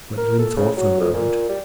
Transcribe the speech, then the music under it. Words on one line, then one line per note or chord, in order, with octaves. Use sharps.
Gwendolen thought for a moment.
A#4
A4
C#3
F#3
F2
A#2
G3